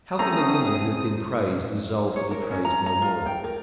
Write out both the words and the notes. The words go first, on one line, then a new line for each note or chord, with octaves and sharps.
How can the woman who has been praised resolve to be praised no more?
A3 C4 C#4 G#4 A#5 D#6
C#5
A#4
C#4
A#5
A#5
F4
G5
A#4